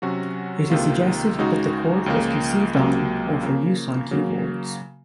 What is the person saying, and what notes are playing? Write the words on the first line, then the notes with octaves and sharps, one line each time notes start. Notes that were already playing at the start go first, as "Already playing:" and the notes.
It is suggested that the chord was conceived on or for use on keyboards.
C3 F#3 C#4 F#4
C#2 C3 D#3 A#3 F4
C#2 C#3 G#3 D#4 F#4
C#2 C#3 F3 A#3
C#2 C3 F#3 A#3
C#3 F3 A#3
C#3 F#3 A#3